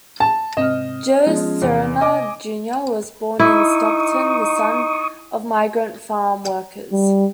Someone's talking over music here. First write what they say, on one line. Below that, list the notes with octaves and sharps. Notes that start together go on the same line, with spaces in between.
Joe Serna, Junior was born in Stockton, the son of migrant farm workers.
A5
G#2 C3 C4 D#5 F6 E7
F3 G#3 B3 C#4
E2 C3
D#5 G#5 D6
D#4 E4 C#6 D#6
G3